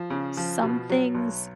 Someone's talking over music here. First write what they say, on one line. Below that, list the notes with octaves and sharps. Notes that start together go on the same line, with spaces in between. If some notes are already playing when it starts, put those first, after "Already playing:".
some things
Already playing: F3
C#3
F3
B2
F#3
B1